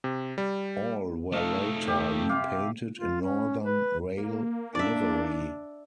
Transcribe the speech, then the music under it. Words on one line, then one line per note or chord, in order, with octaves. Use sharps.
All were later repainted in Northern Rail livery.
C3
G3
A3 D#4 A4 D#5 F5
G4
C3 F5 D6
F4
C#4
B4
A#3
D4 D5 E5